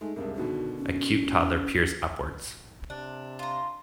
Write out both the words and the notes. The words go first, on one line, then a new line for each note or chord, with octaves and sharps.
A cute toddler peers upwards.
G#3 A3 D#4
C#2 G2 C3 A#4
B2 D3 D#3 F#4
C#4
C3 D4
F4 A#5 C6